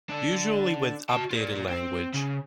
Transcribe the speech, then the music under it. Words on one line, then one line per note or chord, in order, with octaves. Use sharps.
Usually with updated language.
D4 A4
F#4 A5
F4 A#4
C4
C#3